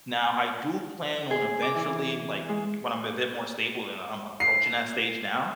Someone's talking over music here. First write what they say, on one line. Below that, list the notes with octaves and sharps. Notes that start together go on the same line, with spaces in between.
Now, I do plan on eventually, like, when I'm a bit more stable, and I'm approaching that stage now,
G#4
D6
E3
G#3
C7